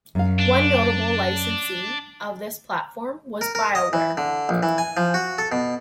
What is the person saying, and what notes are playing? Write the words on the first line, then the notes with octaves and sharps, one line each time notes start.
One notable licensee of this platform was BioWare.
F#2 F5
D4
A#4
A#4
D#5
E3
D3
A#1
E3
G#5
F3
F#4
A4
B2